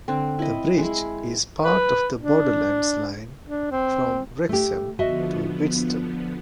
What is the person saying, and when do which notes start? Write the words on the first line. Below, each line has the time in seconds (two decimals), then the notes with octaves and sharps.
The bridge is part of the Borderlands Line from Wrexham to Bidston.
0.08 D3 C4
0.39 E4 D#5
0.78 G#3 E4
1.64 B4
2.21 D4
3.47 D4
3.71 C4
4.49 A3 G4
4.99 D3 F3 B3 F#4 D#5 E5